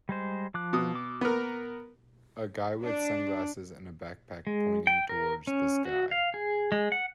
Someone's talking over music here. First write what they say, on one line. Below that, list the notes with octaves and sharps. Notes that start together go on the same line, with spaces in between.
A guy with sunglasses and a backpack pointing towards the sky.
G3 G#3 C5
F3 D6 F#6
B2 D#6
D6
B3 A#4
D4
G#3
G5
A#4
C#4
F#4
F5
G#4
G#3
F#5